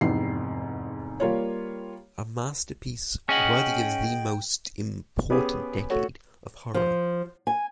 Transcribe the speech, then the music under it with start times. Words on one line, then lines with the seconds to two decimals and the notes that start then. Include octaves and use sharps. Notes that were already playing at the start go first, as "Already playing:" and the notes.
A masterpiece worthy of the most important decade of horror.
0.01 F1 E2 G#2 C7
1.20 G3 A#3 F4 C#5
3.29 C#4 G#4 D#5 F#5 G5
5.30 B3 C#4 G4 G#4 B4
5.90 A3 F#4 C#5
6.74 F3
7.47 G#5